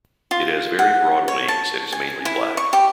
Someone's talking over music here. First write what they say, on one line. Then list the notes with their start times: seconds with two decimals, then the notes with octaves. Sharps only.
It has very broad wings, and is mainly black.
0.31 F4
0.79 F#5
1.28 C#5
1.48 A5
1.92 G#5
2.25 E4
2.57 C#6
2.73 G4